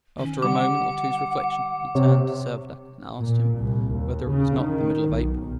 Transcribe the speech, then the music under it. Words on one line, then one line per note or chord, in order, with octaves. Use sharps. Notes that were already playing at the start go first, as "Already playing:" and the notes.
After a moment or two's reflection, he turned to Servadac and asked him whether it was not the middle of April.
D#3 C#4
D3 G3 F#5 D6
C3 C#5
A#2
C2
D#2
C#3
D#3
B1